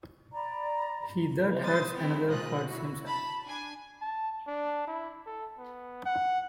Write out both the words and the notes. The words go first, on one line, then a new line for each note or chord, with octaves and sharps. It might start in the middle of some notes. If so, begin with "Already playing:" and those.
He that hurts another, hurts himself.
D5 A#5 B5
B2 C5 D#6 A6
E3 G#3 B3 C4 E4
A#1 B2 G#3 F4 D#5 F#6
E4 F#4
A5 B5
D4 G#5
A5
D4
E4
A4
B3
F#5